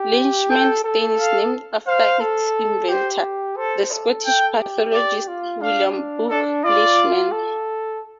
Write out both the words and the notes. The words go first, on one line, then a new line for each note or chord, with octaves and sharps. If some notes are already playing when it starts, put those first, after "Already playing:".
Leishman stain is named after its inventor, the Scottish pathologist William Boog Leishman.
Already playing: G4
A4 G5
A4
F5
C5 F5
A4
G4 C5
A4 C5
A4
G5
G4
D5
F4
D4 F5
D4 A4
F4 D5
A4